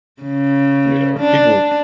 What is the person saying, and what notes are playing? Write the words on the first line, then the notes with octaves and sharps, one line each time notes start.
you know, people
C#3
D4